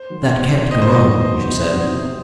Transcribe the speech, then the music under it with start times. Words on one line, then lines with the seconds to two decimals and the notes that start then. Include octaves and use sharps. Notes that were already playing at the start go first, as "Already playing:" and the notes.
"That can't go on," she said.
Already playing: C5
0.10 D#3 F#3
0.30 E2
0.51 D#3 F#3
0.71 D#2 D#5
0.82 C5
0.91 D#3 F#3 B3 E4 D#5
1.11 D#2
1.32 D#3 F#3 B3 E4
1.51 C3
1.72 F#3 C4 D#4
1.93 C3